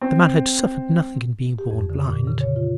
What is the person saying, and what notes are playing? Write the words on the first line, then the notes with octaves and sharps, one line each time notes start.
The man had suffered nothing in being born blind.
C4
G4
F2
D3
A#2
C#3
C#5
F4